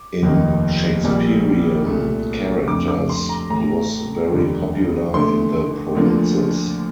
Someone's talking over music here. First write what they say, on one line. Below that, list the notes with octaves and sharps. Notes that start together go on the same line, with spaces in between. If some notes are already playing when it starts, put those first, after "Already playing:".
In Shakespearian characters he was very popular in the provinces.
Already playing: D6
F1 D#2 D#3 A#3 D#4
A#1 A#2 G3 A#3
C2 A#2 A3
F2 D3 A3 D6
D6
C6
A#5
A1 A2 A3 A#5
F1 D#2 D3 G3
D2 D3 A3 C6
D2 D3 F3 A#3